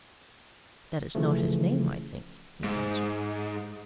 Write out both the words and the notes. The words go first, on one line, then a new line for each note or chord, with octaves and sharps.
"That is not his name, I think," he answered.
C#3 E3 F3 A3
G#2